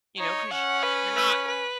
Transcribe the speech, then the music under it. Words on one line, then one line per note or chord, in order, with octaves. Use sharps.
you know, 'cause you're not
D#4 C#5
C#4 F#5
B4
B4
B4